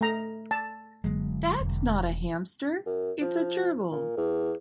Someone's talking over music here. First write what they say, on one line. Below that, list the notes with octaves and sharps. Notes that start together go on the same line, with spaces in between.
That's not a hamster, it's a gerbil.
A3 A#5
A5
F#1 D3 F#3 G#3
E1
F#2
F3
A#2
E2